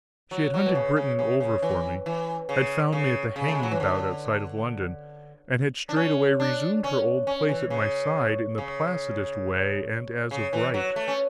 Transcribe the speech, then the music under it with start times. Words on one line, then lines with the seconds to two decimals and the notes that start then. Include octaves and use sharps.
She had hunted Britain over for me; had found me at the hanging-bout outside of London, and had straightway resumed her old place at my side in the placidest way and as of right.
0.31 F#3
0.54 F#3
0.66 B2
0.75 C#3
0.96 C#3
1.19 C#3
1.40 C#3
1.62 E3
2.06 E3
2.49 C#3
2.93 C#3
3.36 C#3
3.48 A3
3.55 G#3
3.63 F#3
3.71 E3
3.80 D3
5.89 D4
5.96 C#4
6.40 D4
6.84 C#4
7.27 C#4
7.49 E3
7.70 C#3
8.58 C#3
10.31 C#3
10.53 E3
10.74 F#3
10.96 A3
11.08 C#4